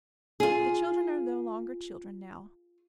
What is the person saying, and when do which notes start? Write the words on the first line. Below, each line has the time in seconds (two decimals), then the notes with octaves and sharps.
The children are no longer children now.
0.40 F4 G#4